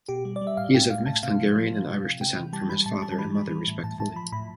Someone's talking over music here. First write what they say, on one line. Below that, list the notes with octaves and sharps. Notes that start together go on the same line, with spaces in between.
He is of mixed Hungarian and Irish descent from his father and mother respectively.
B2 G4
G3
D5
G3
E5
A2 F5
A2 G5
A2 F5
A2 A5
C3 F5
F3
F3
F3
C3
C3
C3 G5
E3
G3 A5
G3 B5
A2 A5
G3 A5
A5
E3 B5
G3
E3
A2
A2 A5
A2 A5
F3 B5
A2 B5